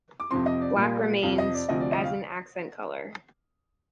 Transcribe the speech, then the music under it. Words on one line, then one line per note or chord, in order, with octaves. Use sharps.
Black remains as an accent color.
D6
F2 C3 F3 C4 C6
D#5
D5
A#2 G3 A#3
F2 C3 F3 F5
D#5
D5
D2 C3 F3 C4 D#5
D5
D#5
F5